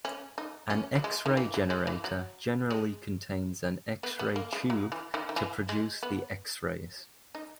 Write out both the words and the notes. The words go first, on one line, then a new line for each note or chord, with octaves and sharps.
An X-ray generator generally contains an X-ray tube to produce the X-rays.
C#4
D#4
C#4
F#3
G#3
D#3
E3
F#3
G#3
E3
F#3
G#3
B3
B3
A#3
G#3
F#3
E3
D#3
D#3
E3
G#3
B3
D#4